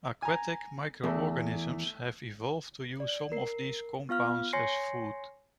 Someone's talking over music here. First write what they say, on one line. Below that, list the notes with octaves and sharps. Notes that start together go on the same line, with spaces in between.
Aquatic microorganisms have evolved to use some of these compounds as food.
G#5 A#5
E2 A3
D5
A#4 C7
B3 F4 F5 F6
C#5 G#5 C6 A#6 C7 C#7